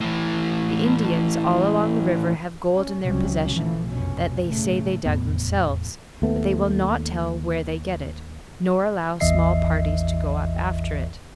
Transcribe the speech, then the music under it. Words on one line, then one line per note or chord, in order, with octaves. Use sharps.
The Indians all along the river have gold in their possession that they say they dug themselves, but they will not tell where they get it, nor allow small parties to go up after it.
A2 E3
C#4
C#2 C3 F#3 G3 C#4
A#1 E3 F3 A3
F1 B1 F#2 B2 C#4
A2 C#3 A3
F1 E2 A2 B3
D#2 A3 B3
A1 E2 E3 D#5 E5 C7